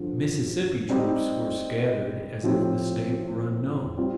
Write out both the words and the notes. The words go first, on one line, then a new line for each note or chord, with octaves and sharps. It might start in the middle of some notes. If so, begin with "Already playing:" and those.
Mississippi troops were scattered as if the State were unknown.
Already playing: G2 D3 F3 F4
G3 C4 D#4 G4
A2 F3 C4 G4
G3 C4 F4